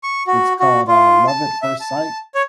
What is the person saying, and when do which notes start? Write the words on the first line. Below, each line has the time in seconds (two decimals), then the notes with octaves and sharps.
It's called, uh, Love at First Sight
0.03 C#6
0.27 F#4
0.60 F#4
0.88 F4
1.28 A5
1.62 E5
1.81 A5
2.35 C#5